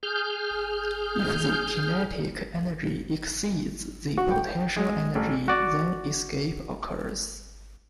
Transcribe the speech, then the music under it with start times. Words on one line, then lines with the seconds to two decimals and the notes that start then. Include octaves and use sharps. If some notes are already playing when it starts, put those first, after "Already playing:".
If the kinetic energy exceeds the potential energy then escape occurs.
0.03 G#4 F6 G6
4.17 F#4
4.31 G5
4.76 G#3
5.15 A1
5.48 F#4 D5